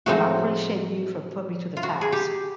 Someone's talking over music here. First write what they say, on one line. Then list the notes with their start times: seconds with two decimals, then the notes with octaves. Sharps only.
and I appreciate you for putting me to the task.
0.06 A2 F3 G#3 C4 D#4 F#4
1.77 F4
1.83 F#4
2.01 G#4
2.12 G4